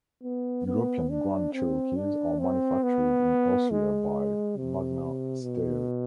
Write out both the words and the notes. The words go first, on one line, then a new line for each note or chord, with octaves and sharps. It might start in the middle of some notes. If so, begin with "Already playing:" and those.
European Grand Cherokees are manufactured in Austria by Magna Steyr.
B3
B3
D4
C4
D4
C4
B3
G#3
C3
B2